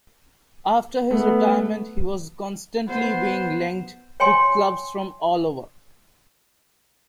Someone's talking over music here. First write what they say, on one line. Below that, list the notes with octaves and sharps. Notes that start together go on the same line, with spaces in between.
After his retirement he was constantly being linked to clubs from all over.
A3 B3
B3 C5
C#5 G5 G#5 C6